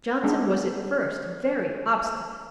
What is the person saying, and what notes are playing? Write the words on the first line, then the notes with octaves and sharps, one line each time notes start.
Johnson was at first very obstinate.
G#3 B3 D4